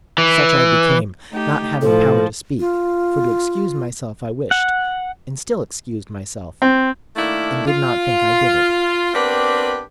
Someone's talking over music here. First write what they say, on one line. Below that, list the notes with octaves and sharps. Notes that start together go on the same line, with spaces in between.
Such I became, not having power to speak, For to excuse myself I wished, and still Excused myself, and did not think I did it.
E3
A3 D#4 G4
A2 F3 A4
F4
F#5
C4
D#3 A3 A#3 D4 E4
F4
B3 C4 D4 G4 A#4 B4